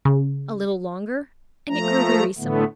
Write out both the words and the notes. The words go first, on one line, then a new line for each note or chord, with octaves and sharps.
A little longer, and it grew wearisome.
C#3
F3 A3 A#5
A2 D3 A3 B3